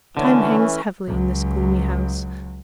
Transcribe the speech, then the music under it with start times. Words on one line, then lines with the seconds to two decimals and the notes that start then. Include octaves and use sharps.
Time hangs heavily in this gloomy house.
0.17 D3 E3 A3 C#4
1.07 C#2 F#3